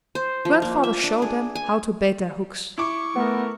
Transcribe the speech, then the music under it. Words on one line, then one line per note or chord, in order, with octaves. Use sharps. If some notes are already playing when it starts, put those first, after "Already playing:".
Grandfather showed them how to bait their hooks.
C5
F3
A#3
E5
D4
G#4
G#5
E4 C#6 D6
A3 B3 A#4